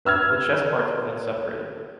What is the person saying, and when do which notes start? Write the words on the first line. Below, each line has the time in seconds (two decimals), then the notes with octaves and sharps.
The chess parts were then separated.
0.05 B4 E6 F6 G#6